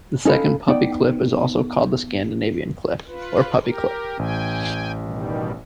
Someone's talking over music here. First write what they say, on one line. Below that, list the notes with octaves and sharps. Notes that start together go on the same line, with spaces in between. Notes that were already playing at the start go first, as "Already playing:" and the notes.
The second puppy clip is also called the Scandinavian clip or puppy clip.
C#4 D#4 A4 F5 B5
B3 D#4 D5 G5
F4 B4
G4 A#4
A1 G5 G#5
B2 D#3 G3